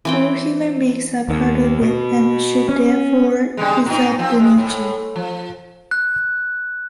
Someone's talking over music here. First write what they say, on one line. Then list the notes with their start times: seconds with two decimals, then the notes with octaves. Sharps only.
All human beings are part of it and should therefore preserve the nature.
0.05 E3 C4 G5
1.29 D#2
1.82 B2
2.69 C#4
3.57 C#3 G3 G#3
3.86 A2 D#4
4.19 F3 C4
4.39 G#3
4.58 A2
5.16 F3
5.91 F#6